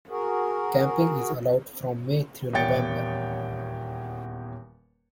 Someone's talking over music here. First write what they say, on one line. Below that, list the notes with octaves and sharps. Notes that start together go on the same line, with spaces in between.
Camping is allowed from May through November.
F#4 G#4 A#4
D#1 E2 C#5 G5 A6 C#7